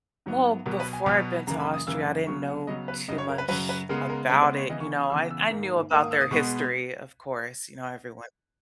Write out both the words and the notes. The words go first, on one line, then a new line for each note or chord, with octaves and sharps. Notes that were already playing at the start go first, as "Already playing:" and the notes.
Well, before I'd been to Austria, I didn't know too much about it, you know, I I knew about their history, of course, you know, everyone
G#2 F#3 B3
B2 F#3 B3 A#4
B4
G#5
B2 F#3 B3
F#2 C#3 E3 A#3 A#5
B5
D#6
F#2 C#3 E3 A#3 E6
C#3 F#3 B3 C#6
F#5
C#3 F#3 B3 D#5
B4
F#2 C#3 F#3 D#5
C#5
A#4
B4
F#2 C#3 F#3 B4
B4
C#3 G#3 B3 A#4
A#4
C#3 G#3 B3 B4
B4
C#5
C#3 E3 B3 D#5
C#6
D#6
C#3 E3 B3 E6
E6
G#2 D#3 A#3
G#2 D#3 A#3 E6
D#6
E6
D#6
B2 G#3 B3 C#6